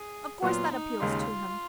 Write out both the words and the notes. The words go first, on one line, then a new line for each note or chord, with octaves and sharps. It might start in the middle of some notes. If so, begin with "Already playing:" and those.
"Of course that appeals to him."
Already playing: G#4
A#2 F#3 B3 F4
D#4
D#2 C#3 G#3 D#4 F4